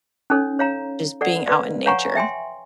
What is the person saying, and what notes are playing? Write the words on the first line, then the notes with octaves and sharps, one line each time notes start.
just being out in nature.
C#4 D#4 A4 C#5
C#5 F5 A#5
A4 D5 F#5
B4 D5 F5
C#5 F5 F#5 G#5 A#5 C#6
E5 G5 G#5 C6